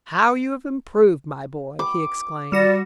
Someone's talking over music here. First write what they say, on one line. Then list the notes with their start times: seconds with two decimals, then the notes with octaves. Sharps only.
"How you have improved, my boy!" he exclaimed.
1.79 D6
2.52 G3 F#4 D5 A#6